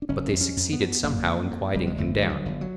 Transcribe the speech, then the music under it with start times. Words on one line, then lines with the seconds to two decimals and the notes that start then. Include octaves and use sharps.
But they succeeded somehow in quieting him down.
0.02 D4
0.09 F#1 C#4
0.33 F2
0.41 C#4
0.57 F2
0.72 B3
0.79 F2
1.03 F#1 A#3
1.27 F2
1.51 F2
1.74 F#1 G3
1.87 G#3
1.98 G1 A3
2.22 G1 G3
2.29 F#3
2.46 G1
2.61 F#3